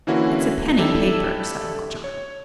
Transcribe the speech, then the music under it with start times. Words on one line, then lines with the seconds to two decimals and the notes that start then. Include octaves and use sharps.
"It's a penny paper," said Uncle John.
0.07 D3 E3 A#3 C#4 E4 F#4
0.77 D4 E4 G4 A4
2.04 C#5